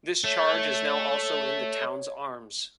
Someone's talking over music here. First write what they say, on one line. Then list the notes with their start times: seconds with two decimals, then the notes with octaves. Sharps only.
This charge is now also in the town's arms.
0.24 A3 C#5